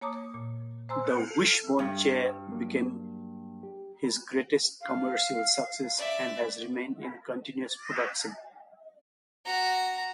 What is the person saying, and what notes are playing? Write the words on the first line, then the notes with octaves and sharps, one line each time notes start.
The Wishbone Chair became his greatest commercial success and has remained in continuous production.
A#3 C#5 A5 A#5 D6 D#6
A#2
C5 G#5 A#5 C6 E6
A4
G2 G3
F#3 A#3
G4
F5
D5 E5
F#4 A#5